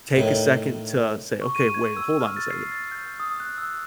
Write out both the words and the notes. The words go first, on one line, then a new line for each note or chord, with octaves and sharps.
take a second to say, "Okay. Wait. Hold on a second.
A2 D#3
C#6
D#7
G#6
E6
F6
A6
C7
A6
G6
D#6
F#6
E6